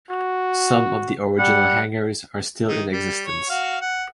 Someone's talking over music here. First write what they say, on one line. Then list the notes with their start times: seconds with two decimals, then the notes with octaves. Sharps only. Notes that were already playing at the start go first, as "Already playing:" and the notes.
Some of the original hangars are still in existence.
0.11 F#4
1.39 G3 F#5
2.68 D#3 D#4
2.92 G3
3.25 C#5
3.50 F#4 F5
3.81 F#5